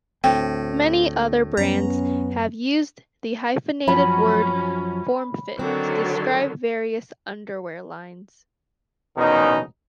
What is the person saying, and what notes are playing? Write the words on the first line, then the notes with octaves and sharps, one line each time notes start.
Many other brands have used the hyphenated word "Form-Fit" to describe various underwear lines.
D2 A2 C4 G5
F#2 B3 C#4 A#5
F#2 F3 F#3 C#4 B5
D3 D#3 F#3 C4
E2 B2 D#3 C#4 D#4